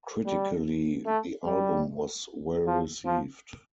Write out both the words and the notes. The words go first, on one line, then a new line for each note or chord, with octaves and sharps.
Critically, the album was well received.
G3
A3
G3
F3
F3